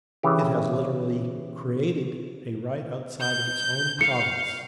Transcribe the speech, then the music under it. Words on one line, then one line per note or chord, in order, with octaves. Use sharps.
It has literally CREATED a right outside of its own province.
C#3 E3 G4
G6
F5 C#7